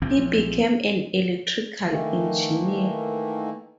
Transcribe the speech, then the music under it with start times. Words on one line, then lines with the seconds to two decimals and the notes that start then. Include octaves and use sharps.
He became an electrical engineer.
0.02 A#1 E3 F3 C4
1.88 D#3 E3 A3 A#3